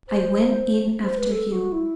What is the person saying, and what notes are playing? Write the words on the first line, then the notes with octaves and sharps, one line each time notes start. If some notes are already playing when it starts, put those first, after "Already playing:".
"I went in after you."
C5
C5
B4
A4
F#4
E4